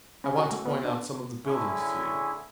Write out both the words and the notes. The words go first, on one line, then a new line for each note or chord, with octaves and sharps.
"I want to point out some of the buildings to you."
C#4
F#4
A3
B3
D4
A2 D3 A3 C#4 E4 G#4